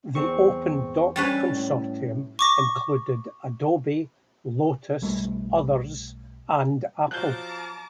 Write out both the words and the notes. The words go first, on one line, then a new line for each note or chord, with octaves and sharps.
The OpenDoc consortium included Adobe, Lotus, others, and Apple.
E2 C4 C#6
G3 C#4 B4 A6
A2
C#6 D6 A#6
B1 G3 A3
F3 F#3 F5 A5 A#5 D6 F#6 G6